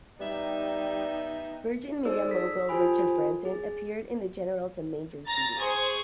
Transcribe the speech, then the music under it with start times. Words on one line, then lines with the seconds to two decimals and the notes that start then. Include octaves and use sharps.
Virgin media mogul Richard Branson appeared in the "Generals and Majors" video.
0.20 G3 B3 D#4 G4 E5
2.05 D#4 G#4 C5 D5 E6
2.29 A4 E6 B6
2.69 F4 G4 A4 C5 G#5 B5
3.45 G#4
5.26 A#5 A6 A#6
5.57 G#4 C5 C#6